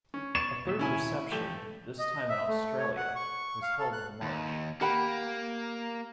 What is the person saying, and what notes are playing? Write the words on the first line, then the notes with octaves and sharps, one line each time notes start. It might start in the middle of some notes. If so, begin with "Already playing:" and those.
A third reception, this time in Australia, was held in March.
C#4
B3 C#5 D5 C#6 E7
D#2 A#2 E5
C#4 E4 G#5
E3 F3 A3 G4
D#5
E5
A3
C#5
F#5
C#6
F5
A4
F#6
D#2
A#3 G4 F#5 B5